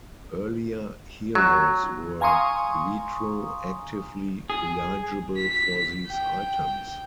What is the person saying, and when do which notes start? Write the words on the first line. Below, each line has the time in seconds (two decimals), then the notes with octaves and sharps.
Earlier heroes were retroactively eligible for these items.
1.35 F#3
2.21 F5 G#5 A#5 C6 C#6 D#6
4.50 G#4
5.37 B6
6.07 G5